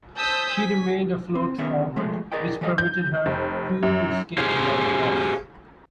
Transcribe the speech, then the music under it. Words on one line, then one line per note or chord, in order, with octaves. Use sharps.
She remained afloat forward, which permitted her crew to escape without loss.
C5 A5 D#6 E6 G6 B6
G#5 B6
C4
D#3 B3 C#4 G#4 E5
F3 G#3 A3 G#4
G#4 A#4 D5 D#5 G5
E3 G3 A4 D#5 F5
G6
F1
F#2
G4 G#4 C5 C#5 F5